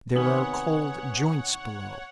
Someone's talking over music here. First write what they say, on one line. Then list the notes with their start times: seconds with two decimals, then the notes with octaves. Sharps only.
There are cold joints below.
0.15 C3 D#3 B3 C#5 F#5 G#5 D#6 F#7